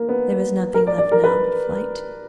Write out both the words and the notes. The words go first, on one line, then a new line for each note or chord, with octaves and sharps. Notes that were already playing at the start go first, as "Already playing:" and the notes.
There was nothing left now but flight.
Already playing: A#3
B3
A#4
D5
D5
A#4
B4